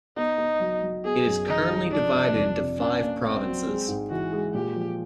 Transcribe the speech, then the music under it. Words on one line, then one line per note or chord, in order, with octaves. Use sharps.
It is currently divided into five provinces.
B3 D#4
B3
F#3
F#3
B3 G#4
F#2
D#3 D#4
G3
F3 D4
C3
F2
C3
C#4 D4
A#3
A#3 C4
F#3
G#3
G#2
E3 F#4
G#3
A#2 G4
F3